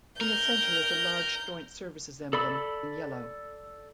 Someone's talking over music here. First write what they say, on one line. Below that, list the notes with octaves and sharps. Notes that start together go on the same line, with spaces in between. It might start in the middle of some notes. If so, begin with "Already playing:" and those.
In the centre is a large joint services emblem in yellow.
A#4 G6
A4 D5 B5 E6